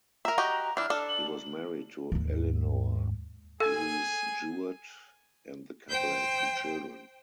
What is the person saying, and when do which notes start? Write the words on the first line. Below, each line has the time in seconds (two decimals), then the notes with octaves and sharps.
He was married to Eleanor Louise Jewett and the couple had two children.
0.25 A#4 E5 A#5
0.38 F#4 G4 D#5
0.77 E3 D4 F6
0.90 D4 A4
1.09 F#7
2.12 D#2 G#2
3.60 G#4 A4 G#5
5.90 C5 G5